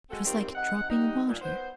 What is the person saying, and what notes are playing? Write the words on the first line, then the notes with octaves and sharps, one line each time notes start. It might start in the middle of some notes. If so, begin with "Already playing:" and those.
It was like dropping water.
G#3 C4 F#4 A4
D#3 F3 G3 C4 G4
C3 D#4 F#5
G3 D#4
G2 A#2
B3 C5